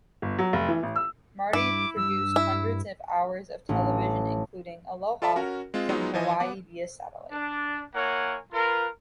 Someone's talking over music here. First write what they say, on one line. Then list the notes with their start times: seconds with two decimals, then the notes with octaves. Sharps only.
Marty produced hundreds of hours of television including Aloha from Hawaii Via Satellite.
0.22 G1
0.39 F#3
0.53 F1
0.69 E3
0.83 A1
0.96 E6
1.53 G2 E4 D6
1.96 G2 E6
2.36 E4
3.69 A1
5.22 F4 A4 D5 E5 A5 B5
5.36 C#4 F#4 A#4
5.74 G#3 C4 F4
5.89 F#3 G#3 B3 D#4 F4
6.14 E3 F3 D#5 G#5
6.40 B3 F#5 D6
7.31 D4
7.94 A#3 E4 A#4 C#5 F#5 G#5
8.53 F4 A#4 B4